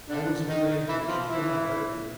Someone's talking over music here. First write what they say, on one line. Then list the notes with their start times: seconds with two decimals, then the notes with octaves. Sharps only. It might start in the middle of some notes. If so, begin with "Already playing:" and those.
I was afraid he would hear my heart beat.
0.10 D3 D4
0.49 D#3 D#4
0.89 E3 E4
1.08 F3 F4
1.28 E3 E4